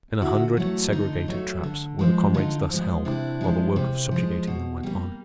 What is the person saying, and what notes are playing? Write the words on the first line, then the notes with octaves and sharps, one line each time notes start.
In a hundred segregated traps were the comrades thus held while the work of subjugating them went on.
D3 E4 F#4
F#3 A3
D3 D#4 F4
F#3 A3
D3
F3 G#3
D3 D#4 F4
F3 G#3
C3 D4 E4
F3 G#3
C3
F3 G#3
B2
G3 A#3